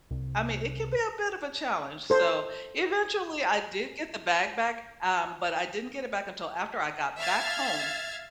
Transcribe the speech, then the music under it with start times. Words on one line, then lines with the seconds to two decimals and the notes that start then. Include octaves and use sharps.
I mean, it can be a bit of a challenge, so, eventually, I did get the bag back, um, but I didn't get it back until after I got back home,
0.11 C2
2.10 A4 C5
7.18 E5 F5 F6 G#6 A6